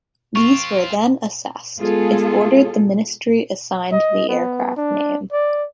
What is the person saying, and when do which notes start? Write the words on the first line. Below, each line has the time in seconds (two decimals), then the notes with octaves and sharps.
These were then assessed, if ordered the Ministry assigned the aircraft name.
0.36 C4 F4 C#6
1.80 G#3 B3 F4 G#4 A4
3.92 D#5
4.29 B3
4.77 D4
5.32 D5